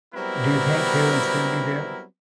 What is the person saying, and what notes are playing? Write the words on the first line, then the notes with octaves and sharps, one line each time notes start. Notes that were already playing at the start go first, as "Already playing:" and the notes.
Do you think he will still be there?
F#3 G3 B3 C4 E4 A#4